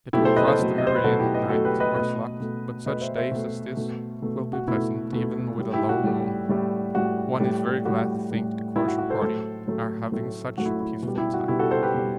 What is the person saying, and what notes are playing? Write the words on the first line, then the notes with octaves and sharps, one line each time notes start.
It will cross the meridian at night, worse luck, but such days as this will be pleasant even with a low moon; one is very glad to think the Crozier Party are having such a peaceful time.
B2 F#3 A3 E4 G4
A4 C5
B4 D#5
A4 C5
B2 F#3 A3
D#5
C5
B4
B2 F#3 A3 F#4 A4
E4 G4
B4 D#5
B2 F#3 A3 F#4 A4
G4 B4
B4 D#5
B2 A3 B4 D#5
B2 A3
B2 A3 B4 D#5
C5 E5
C5 E5
B2 A3
B2 A3
B2 A3
F#4
B2 A3 E4
B2 A3
A2 G3
E4 G4
F#4
A2 G3
A2 G3
A2 G3 F#4
A2 G3
A2 G3 F#4
A2 G3
A2 G3 E4 G4
F#4
F#4
A4 C5
A2 F#3 A3 A4 C5
A2 F#3 A3
A2 F#3 A3
A2 F#3 A3 F#4
E4
E4
B2
G3
E4 G4
F#4
B2 G3 E4 G4
F#4 A4
A4 C5
G4 B4
B2 G3